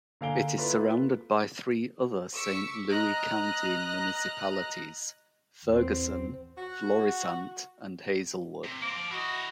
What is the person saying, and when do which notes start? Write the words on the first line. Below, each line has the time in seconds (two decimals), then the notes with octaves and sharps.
It is surrounded by three other Saint Louis County municipalities: Ferguson, Florissant, and Hazelwood.
0.21 D3 A#3 F5 G#5 D7 G7
0.57 A#3 E4 F4 A4 B4
2.35 C#6 D6 E6 B6 C#7
2.88 D#5 A#5 F6 F#6 A#6
5.67 E2 C4
6.58 F#4
8.64 C3
8.82 A#3 C4 D6
8.97 F3
9.11 E4 F#4 D#5